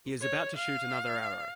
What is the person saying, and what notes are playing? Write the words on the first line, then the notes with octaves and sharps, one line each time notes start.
He is about to shoot another arrow.
C#5
F5